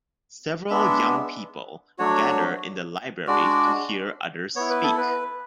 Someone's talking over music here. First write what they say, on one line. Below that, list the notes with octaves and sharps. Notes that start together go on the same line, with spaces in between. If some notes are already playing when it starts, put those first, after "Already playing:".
Several young people gather in the library to hear others speak.
G#3 B3 D4 E5
F#3 A3 D4 F#4 C#5
G#3 D4 F#4 D5
B3 E4 C#5
B4
A4
B4